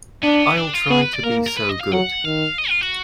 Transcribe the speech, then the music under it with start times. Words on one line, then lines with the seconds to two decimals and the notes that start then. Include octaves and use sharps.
I’ll try to be so good.
0.23 B3 D4
0.57 D4
0.74 F4
0.90 B3 G#4
1.02 B4
1.13 D5
1.24 A#3 A#4
1.47 A#4
1.57 B4
1.69 D#5
1.81 F5
1.91 F#3 F#5
2.25 D#3 F5
2.58 D#5
2.69 F4
2.81 F#4